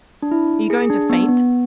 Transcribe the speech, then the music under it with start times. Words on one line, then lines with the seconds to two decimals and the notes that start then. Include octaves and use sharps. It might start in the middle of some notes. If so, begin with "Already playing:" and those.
Are you going to faint?
0.22 D4
0.31 E4
0.70 G#4
0.90 D4
1.10 B3
1.29 B3